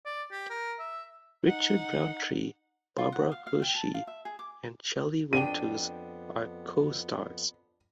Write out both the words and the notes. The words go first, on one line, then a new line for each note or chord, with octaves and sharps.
Richard Roundtree, Barbara Hershey and Shelley Winters are co-stars.
D5
G4
A#4
E5
D#4 F#5
F4
F#5
F5
F5
G5
A5
F5
E5
G#4
D6
F2 B3 D4 G5 D#7